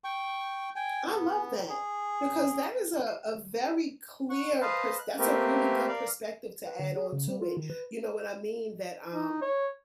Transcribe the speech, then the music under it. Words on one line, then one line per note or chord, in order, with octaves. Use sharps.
I love that because that is a a very clear pers that's a really good perspective to add on to it, you know what I mean, that, um
G5 C#6
G5 G#5
B3
G#4
F#5 C#6
B4 C5 D#5 F5 A5
F#6
A3 A#3 C4 G4 A#4 B4
A#4 D5 F5
B4
D3
G#4
C#3
G3
F4
D#3
B4
D#4
C#5